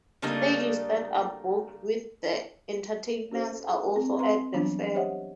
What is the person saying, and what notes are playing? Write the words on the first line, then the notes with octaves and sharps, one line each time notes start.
Stages that are booked with entertainers are also at the fair.
C#3 G3 A3 A#3 D4 D#4
C#4 F#4 A4 C5
G#4
C4
C4 B4 A#5 C6
E3 F#3 G3 B3 D4
G4 C5 C#5 D#5 E5 F#5